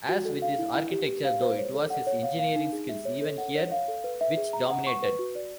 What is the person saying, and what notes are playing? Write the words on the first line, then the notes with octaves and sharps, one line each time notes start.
As with his architecture, though, it was his engineering skills even here which dominated.
F#4
A4
F5
E4
E4
G4
G4
F5
C5
C#5
A4
F#5
C#5
F5
F5
D#4
G#4
E5
C#5
A4
F#5
C#5
F5
A4
B4
E5
G#4
A#5
F#5
C#6
B4
F#4
D5